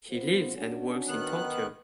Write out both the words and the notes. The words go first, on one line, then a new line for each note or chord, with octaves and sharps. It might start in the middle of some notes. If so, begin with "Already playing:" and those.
He lives and works in Tokyo.
B3 F4 C5
C#4 D4 F#4
D#3 B3 F#6